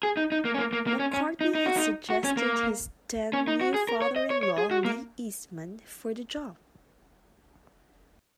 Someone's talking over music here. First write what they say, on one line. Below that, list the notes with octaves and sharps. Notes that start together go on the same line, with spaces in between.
McCartney had suggested his then new father-in-law Lee Eastman for the job.
G#4
D#4
D#4
A#3
C#4
A#3
A#3
A#3
C#4
C#4
D#4
D#4
F#4
D#4
F#4
C#4
A#3
C#4
D#4
F#4
G#4
A#4
C#5
D#5
C#5
C#5
G#4
F#4
A#3